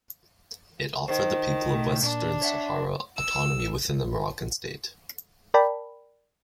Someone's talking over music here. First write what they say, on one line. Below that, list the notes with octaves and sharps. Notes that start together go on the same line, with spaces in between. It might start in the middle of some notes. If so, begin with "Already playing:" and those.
It offered the people of Western Sahara autonomy within the Moroccan state.
D#3 C5
B2 A3
A#2 D4
C#5 E5 F#5
E6
A#4 D5 G5 A5 B5